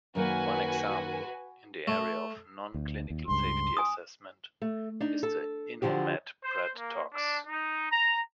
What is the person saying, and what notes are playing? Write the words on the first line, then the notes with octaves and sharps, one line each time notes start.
One example in the area of non-clinical safety assessment is the InnoMed PredTox.
F#2 D#3 A#3 F#4 B4 G#5
A3
D2
D#2
C#2 G2 C6
G#5 D#6
A3
D4 D#4
A4
D3 F3 F#4 G4
C5
A#3
D4
D#4
A#5